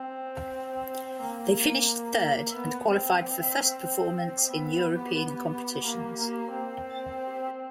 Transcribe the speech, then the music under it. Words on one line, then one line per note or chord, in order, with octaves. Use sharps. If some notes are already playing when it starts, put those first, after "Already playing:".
They finished third and qualified for first performance in European competitions.
Already playing: C4
A#3
B3
C4
B3
A#3
A#3
C4